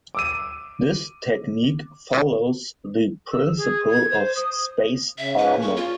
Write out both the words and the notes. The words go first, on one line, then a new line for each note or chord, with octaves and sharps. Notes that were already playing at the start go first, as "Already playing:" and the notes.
This technique follows the principle of spaced armor.
D6 E6 D#7
E6
G#4
G#6
C5
D#6
C#3 E5
F3 G#3 C#4 B4
D3 G#3 A#3 C#6
F4 C#5 F5